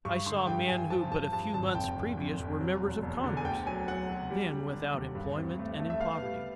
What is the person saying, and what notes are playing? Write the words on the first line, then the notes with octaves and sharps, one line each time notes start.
I saw men who but a few months previous were members of Congress, then without employment and in poverty.
G2 C#6
D3 C6
G2 G5
G2 G#5
F3 A5
G2 A5
G2 A5
G#1 A5
F1 G5
F1
F2
F1
F#3
E1
E1
D3
G#5
D2 G5
F#3 G#5
F#3 F#5
F#3
G3
G3
D3
D#2
G2
C4
A3
A3
E5
B3 F5
G3